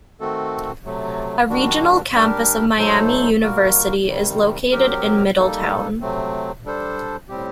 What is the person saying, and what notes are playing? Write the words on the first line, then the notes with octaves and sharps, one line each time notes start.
A regional campus of Miami University is located in Middletown.
D#3 A3 C4 F#4 A4
C3 F#3 A3
D#3 G3 D4 F#4
G3 D4 G4 A#4
F#3 A3 D#4 A4 C5
G3 A#3 F#4 A#4
C3 D#3 G3
F#3 C4 G4 A#4
G3 A#3 D#4 A4
C3 F#3 A3 C4
G3 D4 A4 C5
A2 G3 C4 G4